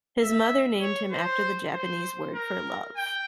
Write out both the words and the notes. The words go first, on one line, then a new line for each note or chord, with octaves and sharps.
His mother named him after the Japanese word for "love".
E5
C#5
C5
C5
A#4
G5